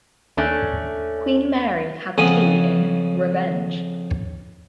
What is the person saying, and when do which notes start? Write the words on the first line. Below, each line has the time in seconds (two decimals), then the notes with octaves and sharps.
Queen Mary had tea in "Revenge".
0.37 D#2 A3 C#4 D4
2.18 F2 C#3 F3 G#4 F#5 G#5